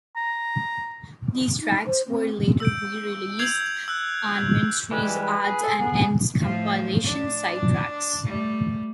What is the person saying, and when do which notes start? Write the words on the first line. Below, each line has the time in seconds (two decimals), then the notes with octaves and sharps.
These tracks were later re-released on Ministry's odds-and-ends compilation "Side Trax".
0.16 A#5
1.61 D#4
1.86 C5
2.07 C4
2.60 E6 G6 D7
3.39 E6 G6 G#6 C7 F7 F#7
3.88 E6 F#6
4.91 E3 G3 G#3 B4
5.22 B4
5.44 G#4
5.63 A4
5.79 B3
6.41 A2 F3
7.03 D4
8.24 G3 A3